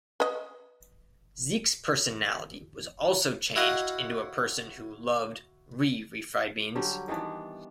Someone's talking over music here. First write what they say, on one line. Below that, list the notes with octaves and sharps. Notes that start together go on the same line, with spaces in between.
Zeke's personality was also changed into a person who loved 're-refried beans'.
B4 D#5
E4 F#4 D#5 F5
D3 F#3 G3 G4
D#3 E3 B3 D4